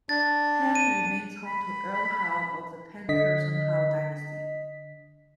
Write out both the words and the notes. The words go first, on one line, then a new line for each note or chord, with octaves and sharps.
Penn remains home to Earl Howe of the Penn-Curzon-Howe dynasty.
D4 A6
D#7
B5
D3 D#5 B6